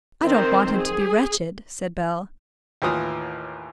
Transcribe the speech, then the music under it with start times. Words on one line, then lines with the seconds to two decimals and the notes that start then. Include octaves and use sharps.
"I don't want him to be wretched," said Bell.
0.22 D#3 C4 A#4 C5
0.75 G#4
2.82 D#2 A2 E3 F4 D#6